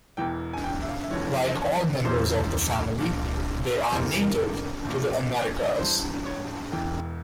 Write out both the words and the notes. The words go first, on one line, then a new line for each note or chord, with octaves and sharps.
Like all members of the family, they are native to the Americas.
E1 E2 E3 G5
G#5
G5
E5
F5
E5
F1 F2 E3 C#5
C#5
E1 E2 C#3 E3 C5
A#1 A#2
F1 E2 C3 E3 C5
A#4
G#4
A#4
A#1 A#2
G1 G2 E3 C5
C#5
E1 E2 E3 G5